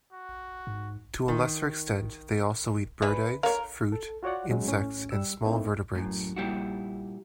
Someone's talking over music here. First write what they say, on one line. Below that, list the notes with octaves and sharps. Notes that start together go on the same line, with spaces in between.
To a lesser extent, they also eat bird eggs, fruit, insects, and small vertebrates.
F#4
G#2
D#3
E3 D4 E4 B4
A#4 C#5 F5
A4
F4 F#4 C#5 D5 F#5
F#3 G#3 C#4
A2 C#4
G3 E6
A3 A#3 C4 D#4 E4
F#2 A2
A#2 G3 E4 F#4